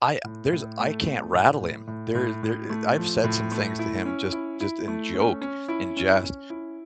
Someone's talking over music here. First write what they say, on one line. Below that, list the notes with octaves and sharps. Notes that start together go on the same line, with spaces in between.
I there's I can't rattle him. There there I I've said some things to him just just in joke, in jest,
A2
A2
A3
A3
A2
A2
A2
A2
A2
A3
F3
A2
A3
E4
C#4
E4
E4
A3
C#4
C#4
E4
C#4
C#4
E4